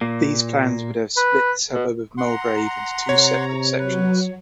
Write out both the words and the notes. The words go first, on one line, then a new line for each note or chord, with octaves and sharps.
These plans would have split the suburb of Mulgrave into two separate sections.
A#2 A#3
B4
B2
F#5 A#5 C6
C3 C#5
F#3 B4